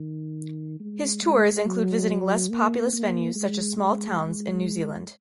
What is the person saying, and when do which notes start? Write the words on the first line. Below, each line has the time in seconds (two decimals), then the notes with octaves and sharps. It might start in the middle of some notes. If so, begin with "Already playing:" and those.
His tours include visiting less populous venues such as small towns in New Zealand.
Already playing: D#3
0.80 G#3
1.22 G#3
1.66 F#3
2.51 A#3
2.93 A#3
3.35 G#3
3.78 G#3
4.20 G#3